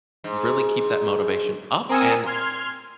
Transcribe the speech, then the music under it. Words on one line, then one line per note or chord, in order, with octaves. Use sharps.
really keep that motivation up and
G#2
C4 A#4 G#5 D#6 E6 C#7
C6 F6 G#6